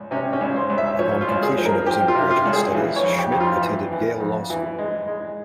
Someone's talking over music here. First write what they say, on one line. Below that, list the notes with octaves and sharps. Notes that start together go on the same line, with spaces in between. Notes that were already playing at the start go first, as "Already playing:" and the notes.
Upon completion of his undergraduate studies, Schmidt attended Yale Law School.
Already playing: C#2
C3 C#4
C#4
C#2
C5
C#2
E5
F3 C#5
F4
C#2
G#4
F3
A#4
F3 G4
F4
C3
F4
C#2
G#4
E3
C#5
F2
G4
F2
F4
E3
E3
F2
E3
G#3
G#3